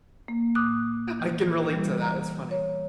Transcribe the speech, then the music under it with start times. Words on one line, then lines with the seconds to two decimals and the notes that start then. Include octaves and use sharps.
I can relate to that, it's funny.
0.28 A#3
0.55 A#2 D6 D#6 F#6
1.20 E3
1.69 E3 G3
2.02 A#5
2.51 C#5